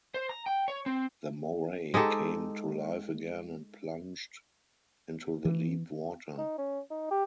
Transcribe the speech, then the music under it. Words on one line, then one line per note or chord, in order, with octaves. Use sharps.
The moray came to life again and plunged into the deep water.
C5
A#5
G5
C#5
C4
G#3 D#4 G4 A4
E3
D#4
C#4
D#4
G4